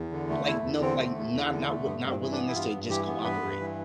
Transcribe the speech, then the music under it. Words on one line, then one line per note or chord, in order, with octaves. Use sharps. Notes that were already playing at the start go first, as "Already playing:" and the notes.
like, no like, not not w not willingness to just cooperate.
Already playing: E2
D3
A3
E2 E4
E2
D3 C4
A3
E2
E2
D3
A3
G2 B3
G2
C4
E3
D4
B3
E4
G2 F4
G2
E3 G4
B3
G2 B4
G2
E3